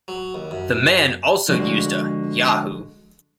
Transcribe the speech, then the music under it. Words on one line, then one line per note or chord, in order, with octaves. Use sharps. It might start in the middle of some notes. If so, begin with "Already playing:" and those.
The man also used a Yahoo!
F#3
D#2
F#2
D3 F3 G#3 F#4 D5